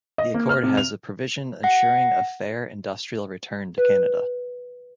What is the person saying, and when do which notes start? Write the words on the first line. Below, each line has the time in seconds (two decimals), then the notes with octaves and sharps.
The accord has a provision ensuring a fair industrial return to Canada.
0.18 D#5
0.34 A#3
0.49 F6
0.63 C3
0.77 F7
1.63 F#5 A#6
3.78 B4